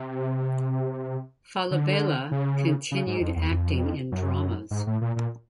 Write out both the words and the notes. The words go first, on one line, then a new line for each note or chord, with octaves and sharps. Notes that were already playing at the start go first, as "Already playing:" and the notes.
Falabella continued acting in dramas.
Already playing: C3
D3
C#3
C#3
G#2
F2
E2
F2
F#2
G#2
A2
A#2
A#2